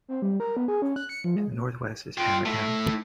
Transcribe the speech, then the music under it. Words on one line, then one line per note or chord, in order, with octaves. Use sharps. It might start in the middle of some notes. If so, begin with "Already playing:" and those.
To the northwest is Hammertown.
C4
G3
A#4
B3
G#4
C#4
F#6
C#7
F3
G#3
F4 G5
A3 E4